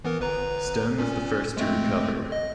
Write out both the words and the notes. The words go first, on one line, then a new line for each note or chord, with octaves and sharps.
Stone was the first to recover.
E3 B3 A#4
G1 B4 A#5
A#2 C#4
G#3 A3 C4
D#5